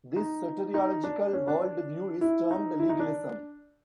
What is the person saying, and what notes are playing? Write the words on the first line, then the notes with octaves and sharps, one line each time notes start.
This soteriological worldview is termed legalism.
D#4
D#4
D4
C#4
D4
E4
D#4
E4
D#4
D4